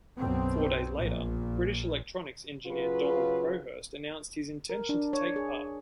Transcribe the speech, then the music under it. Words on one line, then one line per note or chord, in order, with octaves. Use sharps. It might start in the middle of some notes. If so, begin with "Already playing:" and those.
Four days later, British electronics engineer Donald Crowhurst announced his intention to take part.
B1 F#2 B2 C4
A#1 A#2
C#3 F#3 F4 B4
A#4
D4
C#5
G#4